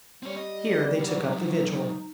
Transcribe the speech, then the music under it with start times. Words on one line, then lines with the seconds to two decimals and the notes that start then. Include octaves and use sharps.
Here they took up the vigil.
0.23 G3 C4 C#5
0.37 D#5
0.99 C#2 F#3
1.26 D#4